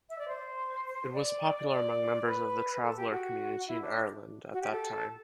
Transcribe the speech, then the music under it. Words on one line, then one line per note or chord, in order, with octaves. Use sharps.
It was popular among members of the Traveller community in Ireland at that time.
E5
D5
C5
D5
D5
B4
A4
G4
F#4
E4
D4
F#4
G4
A4